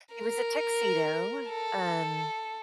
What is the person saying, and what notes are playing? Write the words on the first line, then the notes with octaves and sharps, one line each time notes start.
It was a tuxedo, um
A#4
A4